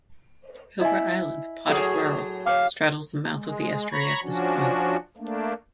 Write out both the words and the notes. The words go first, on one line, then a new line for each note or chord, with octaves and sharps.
Hilbre Island, part of Wirral, straddles the mouth of the estuary at this point.
E4 D#5 G#5
A2 F#3 G#4 A4
C#5 F5 G5 D6
G#3
C#5 A#5 B5 C#6
F3 C#4 D4 F#4
A3 A#3 D4